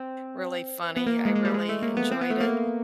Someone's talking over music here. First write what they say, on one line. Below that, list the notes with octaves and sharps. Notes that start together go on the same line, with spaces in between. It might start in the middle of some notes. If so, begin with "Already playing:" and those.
really funny, I really enjoyed it.
Already playing: C4
B3
A#3
G#3
G#3
G3
G#3
A3
A#3
B3
C4
B3
A3
A#3